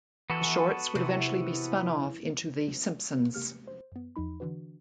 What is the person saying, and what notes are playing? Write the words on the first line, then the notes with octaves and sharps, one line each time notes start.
The shorts would eventually be spun off into "The Simpsons".
E3 B3 F#4 A4
C3 E3
C3 A#3 G4 F6 C#7
C5
F#2 B3
E2 F3 D#4 B5
D3 E3 D4 F#4 B4